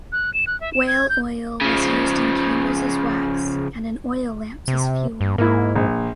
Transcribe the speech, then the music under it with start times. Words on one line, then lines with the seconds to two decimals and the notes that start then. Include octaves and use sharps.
Whale oil was used in candles as wax, and in oil lamps as fuel.
0.12 F#6
0.34 E7
0.47 F#6
0.61 E5
0.73 E7
0.87 G#6
1.09 G6
1.61 C#3 F3
4.68 C3
5.21 G2
5.38 G#2 A#3 E4
5.75 A#1